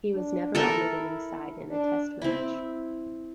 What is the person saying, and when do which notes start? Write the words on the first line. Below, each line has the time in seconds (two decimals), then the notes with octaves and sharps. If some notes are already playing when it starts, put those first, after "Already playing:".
He was never on the winning side in a Test Match.
0.13 D4
0.55 E4 A4 A#4
1.70 D4
2.22 C4 E4